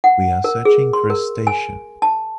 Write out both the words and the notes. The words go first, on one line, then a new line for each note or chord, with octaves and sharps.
We are searching for a station.
F#5
A#4
G#4
C6
A#4
G#5
A5